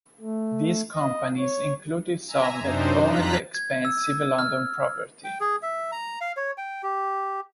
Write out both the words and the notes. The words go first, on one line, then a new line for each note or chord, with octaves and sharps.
These companies included some that owned expensive London property.
A3
D#5
C#5
E5 G#5 A#5
F#2 C3 D4 D#4 C5
F2 F3 F4 A#5 F#6 B6
G#6
E6
F6
G5
G#4
E5
A#5
F5
C#5
G5
G4